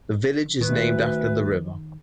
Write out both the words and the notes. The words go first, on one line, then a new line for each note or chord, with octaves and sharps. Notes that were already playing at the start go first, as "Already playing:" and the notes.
The village is named after the river.
D2 D#3 B4